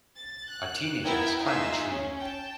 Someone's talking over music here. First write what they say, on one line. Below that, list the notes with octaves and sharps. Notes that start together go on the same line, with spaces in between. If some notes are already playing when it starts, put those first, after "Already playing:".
A teenager has climbed a tree.
A6
F#6
B3 E4 A#4 G5 G#6
D#4 F4 G#4 E5
C#4
G5 A5